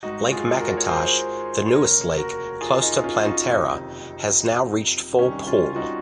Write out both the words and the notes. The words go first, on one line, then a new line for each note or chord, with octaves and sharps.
Lake McIntosh, the newest lake, close to Planterra, has now reached full pool.
G#1 G#2 D#3 D#4 F#4
F4 G#4
F#4 A#4
C#5
G#4 C5
F1 D#2 C#3 A#4 C#5
F#4 A#4
F4 G#4
D#4
C#4 F4
D#4 F#4
F#1 F2 C3 D#3 D#4
C2 C3 D#3 C#4
C#4 F4
D#4 F#4